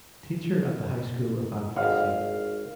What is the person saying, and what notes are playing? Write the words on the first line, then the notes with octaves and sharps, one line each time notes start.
Teacher at the High School of Advocacy.
G#1 D#5 F5 F#5